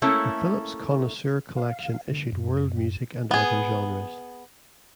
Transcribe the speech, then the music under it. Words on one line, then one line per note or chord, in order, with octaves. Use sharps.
The "Philips Connoisseur Collection" issued world music and other genres.
A3 A#3 C#4 E4 A4 E5
F5
D3
F#2
B3 G#4